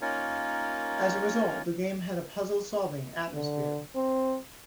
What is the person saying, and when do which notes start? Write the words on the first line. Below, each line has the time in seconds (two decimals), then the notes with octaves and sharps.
As a result, the game had a "puzzle-solving" atmosphere.
0.01 A#3 C#4 D#4 F4 A#4 C#5
3.34 D3
3.96 C4